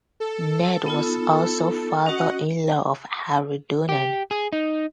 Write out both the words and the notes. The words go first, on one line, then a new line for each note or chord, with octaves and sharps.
Ned was also father-in-law of Harry Donnan.
A4
B3 D#4 F4
C#4 F#4 D#5 F#5
G4
G#4
D#4